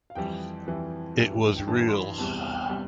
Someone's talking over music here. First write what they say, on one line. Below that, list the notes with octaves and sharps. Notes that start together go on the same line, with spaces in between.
It was real!
F5
F2 E3 G3 G5
F2 E3 G3
G2 E3 G3
G5
G2 E3 G3 A5
C6
B5
E2 C3 G3 A5
C3 G3